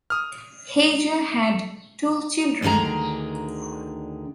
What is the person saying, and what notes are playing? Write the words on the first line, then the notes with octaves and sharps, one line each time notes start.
Hager had two children.
D#6 F6
D2 D3 D#3 G#4 A#5